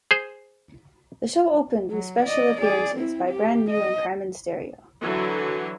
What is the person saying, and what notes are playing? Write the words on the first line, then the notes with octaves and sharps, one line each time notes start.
The show opened with special appearances by Brand New and Crime In Stereo.
G#4 C5
F#3
D5 D#5
G#4 D5
C4 E4
G4
D#5
D3 E3 F#3